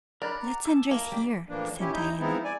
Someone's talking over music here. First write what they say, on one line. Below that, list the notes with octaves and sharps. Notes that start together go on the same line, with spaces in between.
"Let's undress here," said Diana.
D4 A#4 D5 B5
F#5 A#5
A5 E6
A#3
G3 D4 D6
A2 E3 F3 A#3 D4
A#2 C#4 E4 G4
D#2 D#4 E4 D#5 G6
F3 G#3 B3 C4 D#4 E4
D5 G#5